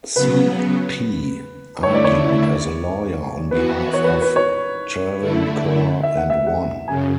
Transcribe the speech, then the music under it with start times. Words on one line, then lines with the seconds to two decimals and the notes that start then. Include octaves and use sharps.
C. P. argued as a lawyer on behalf of Travancore and won.
0.16 C#3 F#3 B3 B4
1.83 D3 A3 E4 C#5
1.95 D5
2.04 C#5
3.51 E3 B3 F#4 B4
3.93 C#5
4.04 B4
4.22 B4
4.36 C#5
5.20 D3 A3 E4
6.03 E5
6.17 F#5
6.30 E5
6.46 F#5
6.88 F#2 C#3 G#5